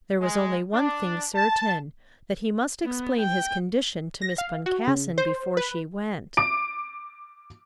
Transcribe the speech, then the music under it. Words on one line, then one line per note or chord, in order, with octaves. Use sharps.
There was only one thing certain,--that he must explain his condition to Miss Boncassen before she went.
G#3
D4
A5
B3
G5
A#6
F5
F#4
C#3
C5
B4
D6 D7